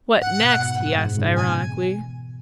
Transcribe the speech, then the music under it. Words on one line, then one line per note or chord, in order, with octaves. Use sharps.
"What next?" he asked ironically.
G#2 F#5
B2
G#2
F#2
G#2
G#2 C#3
B2 E3 G#5